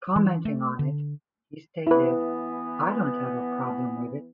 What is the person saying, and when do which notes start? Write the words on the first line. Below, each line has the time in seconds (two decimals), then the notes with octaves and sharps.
Commenting on it, he stated, I don't have a problem with it.
0.16 E3
0.45 A3
0.79 D3
1.87 E3 B3 E4 B4